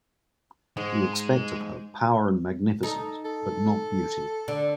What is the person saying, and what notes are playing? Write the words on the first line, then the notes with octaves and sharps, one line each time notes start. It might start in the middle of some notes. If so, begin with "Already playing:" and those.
We expect of her power and magnificence, but not beauty.
G#2 G#3
D#4 A4
A4
D3